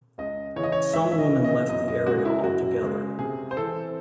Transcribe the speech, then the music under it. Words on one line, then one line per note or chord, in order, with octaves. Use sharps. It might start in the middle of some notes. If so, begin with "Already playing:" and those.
Some women left the area altogether.
C#2 D#5
C#3 E3 C#5
D#5
C#5
C#2 E5
E5
D#5
E3
C#3
D#5
F#2 D#5
D#5
C#3 G#3 C#4 F#4
E4
F#2 F#4
C#3 G#3 C#4
C3 G#4
C5
E3 C4 A4